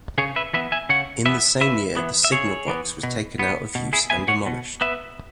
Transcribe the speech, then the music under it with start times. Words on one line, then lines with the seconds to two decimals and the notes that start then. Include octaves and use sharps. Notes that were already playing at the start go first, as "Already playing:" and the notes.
In the same year the signal box was taken out of use and demolished.
0.18 C#3 G#4 C#5
0.36 B4 E5
0.53 E3 B3 B4 E5
0.72 E5 G#5
0.89 C#3 C#5 F#5
1.26 E3 B3 B4 E5
1.61 C#3 B4 E5
1.97 E3 B3
2.24 E5
2.32 C#3 G#4 C#5
2.68 E3 B3
3.03 B2
3.39 B3
3.75 B2
3.93 E4 G#4
4.10 B3 E5 G#5
4.28 C#5 F#5
4.46 B2
4.81 B3 B4 E5